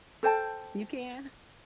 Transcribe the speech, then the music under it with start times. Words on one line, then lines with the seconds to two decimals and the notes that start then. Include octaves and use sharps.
You can?
0.23 A4 C5 G5 A5